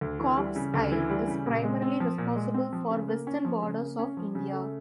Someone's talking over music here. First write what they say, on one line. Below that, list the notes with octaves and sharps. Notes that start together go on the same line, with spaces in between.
Corps I is primarily responsible for western borders of India.
D2
E3
G3
C#3
D2
E3
G3
C#3
A#2
G#3
C4
F3
A#2
G#3
C4
F3
C#3
A#3
C#4
F3
C#3
A#3
C#4
F3
C#3
A3